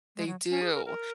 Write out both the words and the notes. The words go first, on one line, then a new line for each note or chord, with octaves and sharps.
They do.
G#3
F#3
C#4
G#4
A#4
A#4